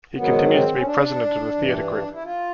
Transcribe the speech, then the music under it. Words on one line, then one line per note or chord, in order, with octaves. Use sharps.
He continues to be President of the theatre group.
G#2 D#3 F#3 B3
C4
C#4
D4
G2 E3
E4
F4